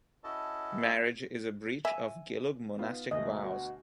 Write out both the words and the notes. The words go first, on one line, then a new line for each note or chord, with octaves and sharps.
Marriage is a breach of Gelug monastic vows.
C#4 E4 F#4 A4 D#5 A5
E5 G#5 E6
B3 D#4 F4
D2 B2 A3 D#5
F#4